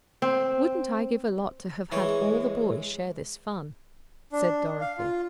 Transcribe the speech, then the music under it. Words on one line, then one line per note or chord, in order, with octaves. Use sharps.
"Wouldn't I give a lot to have had all the boys share this fun," said Dorothy.
C4
E3 G#3 C#5
D4
F5
F4